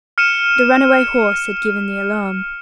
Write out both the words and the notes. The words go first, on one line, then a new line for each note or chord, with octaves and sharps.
The runaway horse had given the alarm.
F6 C#7 D#7 E7